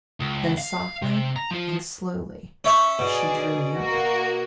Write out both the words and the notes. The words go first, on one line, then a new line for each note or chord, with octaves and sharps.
Then, softly and slowly, she drew nearer.
C#2
F5
C3
A#5
F3 F4
C#4 C#5 E5
B2 G#4 D5
A#3 F#4